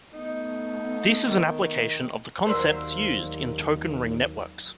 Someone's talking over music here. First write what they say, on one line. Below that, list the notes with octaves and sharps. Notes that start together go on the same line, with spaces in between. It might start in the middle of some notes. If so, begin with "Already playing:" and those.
This is an application of the concepts used in token ring networks.
A3 B3 D#4
D#3
D#2 F#3 A#3 A#4 C5 D5 E6